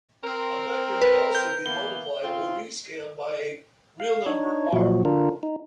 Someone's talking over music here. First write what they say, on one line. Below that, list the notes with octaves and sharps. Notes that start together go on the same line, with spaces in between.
A vector may also be multiplied, or re-"scaled", by a real number "r".
C4 A#4
B4
G6
E3 A#3 B3 G7
C#3 C4 F4
F5
D4 D#4 C#5
A#2 F3 F#3 F#4
D3 D4 F4 A#4
D#4